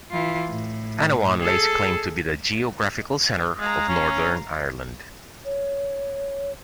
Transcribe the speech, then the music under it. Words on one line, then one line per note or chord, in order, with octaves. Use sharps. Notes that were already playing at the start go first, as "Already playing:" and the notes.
Annaghone lays claim to be the geographical centre of Northern Ireland.
E3 F4
A2
G#4 A4
G#3 F5 A#5
C#4
C#5